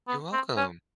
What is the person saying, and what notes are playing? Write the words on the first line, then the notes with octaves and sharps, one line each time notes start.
You're welcome.
B3
C4
C#4